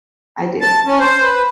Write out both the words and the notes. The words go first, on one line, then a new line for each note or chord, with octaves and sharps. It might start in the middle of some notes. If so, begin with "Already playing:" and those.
I do.
A5
C#4
C5
B4